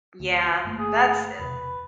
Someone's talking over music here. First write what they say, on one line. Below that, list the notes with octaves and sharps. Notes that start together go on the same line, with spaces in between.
Yeah. That's e
D2
G1 A3 A#3
G#4
E1 C3 B4